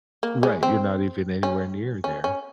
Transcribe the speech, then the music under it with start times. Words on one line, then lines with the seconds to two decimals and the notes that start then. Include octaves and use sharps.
Right. You're not even anywhere near there.
0.23 A#3
0.43 G#3
0.63 C4
1.43 C#4
2.04 C#4
2.24 C#4